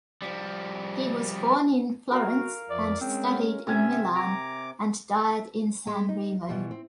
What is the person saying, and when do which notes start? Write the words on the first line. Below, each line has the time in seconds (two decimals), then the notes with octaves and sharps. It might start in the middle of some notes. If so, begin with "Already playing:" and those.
He was born in Florence and studied in Milan and died in Sanremo.
0.22 F3 G3
2.11 F#4 A#4 F5
2.70 F2 F3 D5
3.01 G#3 C4 C#4
3.67 C3 C#4 E5 G#5
4.16 A#5 D6
5.87 G#3
6.09 D#4
6.49 B2 E3 F3 G3
6.71 C4